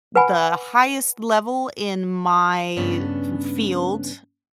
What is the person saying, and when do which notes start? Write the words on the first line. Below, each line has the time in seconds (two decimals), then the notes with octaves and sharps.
the highest level in my f field,
0.16 B4 F#5 G#5 B5
2.76 G2 C#3 B3 C#4 D4